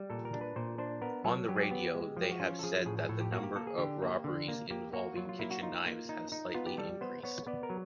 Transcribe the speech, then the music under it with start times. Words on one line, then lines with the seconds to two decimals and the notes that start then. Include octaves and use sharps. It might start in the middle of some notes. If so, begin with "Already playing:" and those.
On the radio they have said that the number of robberies involving kitchen knives has slightly increased.
Already playing: G3
0.10 A#2 A4
0.25 A#4
0.33 D4
0.41 B4
0.56 A#2 C5
0.78 D4 C5
1.02 B3 A#4
1.24 F#3 A4
1.48 F#3 G4
1.56 G#4
1.63 G4
1.71 B3
1.95 G#3
2.17 F3
2.22 G4
2.31 F#4
2.40 C#4 F4
2.59 A4
2.63 F3 G#4
2.86 A2 G#4
2.98 G#4
3.09 A2 A4
3.21 G4
3.32 A#3 F#4
3.43 G4
3.56 A#3 A4
3.67 G#4
3.78 D3 G4
4.02 A#3
4.24 D3
4.48 A#3
4.70 A#3 G4
4.93 A#3 F#4
5.16 F#3 F4
5.29 F4
5.39 A#3 E4
5.51 F#4
5.63 D#4 F4
5.86 A#3
6.09 D#4
6.32 D#4
6.54 B3 F4
6.66 G4
6.78 G3 A4
7.01 B3 C5
7.24 B3 C#5
7.47 B3 D5
7.63 A#4
7.70 F#3